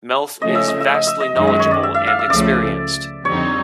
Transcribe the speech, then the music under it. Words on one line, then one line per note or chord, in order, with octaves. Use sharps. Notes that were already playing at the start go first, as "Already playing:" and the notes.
Melf is vastly knowledgeable and experienced.
C#3 F3 A3 C#4 D#5
E5
D#5
E5
D#5
E5
D#5
F#2 D#3 G#3 D#5
D#5
C#5
D5
E5
E5
F5
E5
C#2 C#3 F3 A3 D5
F2 D3 G3 C4 D#4 C#5